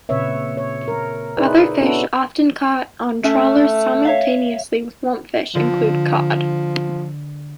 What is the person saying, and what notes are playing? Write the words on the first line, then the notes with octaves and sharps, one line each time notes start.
Other fish often caught on trawlers simultaneously with lumpfish include cod.
A#2 C#3 C4 B4 C#5 E5
C#5
A#4
D#4 E4 G#4 B4 C5 D5
B3 C#4 D4 E4 F#4 A4
A3 C#4 E5
C#5 E5 F5
D3 F3